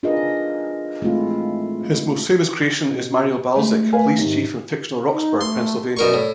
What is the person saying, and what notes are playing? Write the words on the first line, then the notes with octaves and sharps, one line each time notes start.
His most famous creation is Mario Balzic, police chief in fictional Rocksburg, Pennsylvania.
D4 F4 G#4 A#4 B4 D#5
G#3 A3 C4 E4 F4
B2
G#3 A3
B4 F5 G#5
G#2 C3 D#3
D#4
A3 C6
B2 A#4 D5 C#6
A2